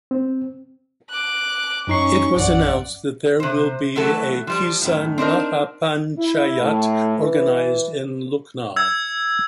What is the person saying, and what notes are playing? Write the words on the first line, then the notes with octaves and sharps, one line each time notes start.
It was announced that there will be a Kisan Mahapanchayat organised in Lucknow.
C4
D6 F#6
F#2 C#4 D#4 C#6 C7
A#1 F#2 D5 F#5
C3 C5
E3 F#3 A3 F#4 A4
F3 G3
F#2 A2
C4 D4 D#4 A#4
E4
A2
E3
E6 G#6